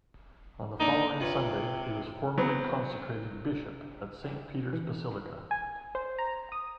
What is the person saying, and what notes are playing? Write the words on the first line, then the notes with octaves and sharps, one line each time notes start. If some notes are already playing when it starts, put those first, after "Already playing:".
On the following Sunday, he was formally consecrated bishop at St. Peter's Basilica.
A#3 D4 D#4 G5
C3 F4 B4 C#5
F#3 B3 C4
E3
G#5
C5
A#5
D#6